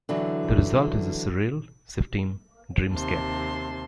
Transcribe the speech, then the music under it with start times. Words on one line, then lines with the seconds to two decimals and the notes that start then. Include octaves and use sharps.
The result is a surreal, shifting dreamscape.
0.09 D3 E3 F#3
2.91 D#2 C3 A5 C6